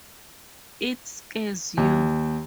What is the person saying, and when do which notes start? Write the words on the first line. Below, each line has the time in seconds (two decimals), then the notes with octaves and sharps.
It scars you.
1.77 D#2